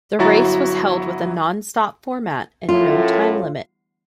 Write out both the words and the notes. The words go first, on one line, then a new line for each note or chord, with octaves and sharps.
The race was held with a non-stop format and no time limit.
G1 F#3 E4 F#4 A#5 A6
F#2 A2 F4